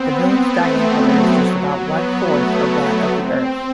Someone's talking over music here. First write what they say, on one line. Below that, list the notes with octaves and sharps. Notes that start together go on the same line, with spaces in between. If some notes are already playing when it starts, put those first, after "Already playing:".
The moon's diameter is just about one-fourth that of the earth.
Already playing: B3 C4
B3
A3
F#3
F#3
B3
A3
B3
C4